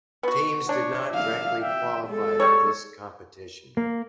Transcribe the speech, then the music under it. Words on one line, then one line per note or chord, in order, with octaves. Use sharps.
Teams did not directly qualify for this competition.
B3 F#4
D4 C#5
E5 F5
E5 G5
G#3 A4
G3 C#5
A#3